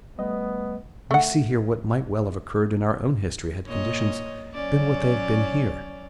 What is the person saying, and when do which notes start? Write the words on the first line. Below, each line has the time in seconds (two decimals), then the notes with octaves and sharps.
We see here what might well have occurred in our own history had conditions been what they have been here.
0.19 G3 A3 B3 D#5
1.11 A3 F#5
3.67 A#2 C#5 D#5
4.54 F#3 C#4 D5